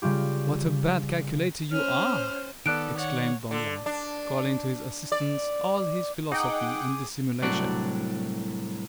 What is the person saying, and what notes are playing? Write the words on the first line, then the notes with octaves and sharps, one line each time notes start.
"What a bad calculator you are!" exclaimed Danglars, calling to his assistance all his philosophy and dissimulation.
C#3 G3 F4 G4
C#4 C5 F6
D#3 B3 A4 D5 F#6 D7
C#5 F#5
D3
D4
D5
D#4 G#4 F#5 G5 D6 D#6
C2 A2 F#3 D4 F#4 D5